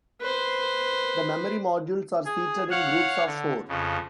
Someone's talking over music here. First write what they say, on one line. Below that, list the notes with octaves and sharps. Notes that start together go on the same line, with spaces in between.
The memory modules are seated in groups of four.
B4 C5
G#4
C#5 F5 F#5
D3
F2 C#3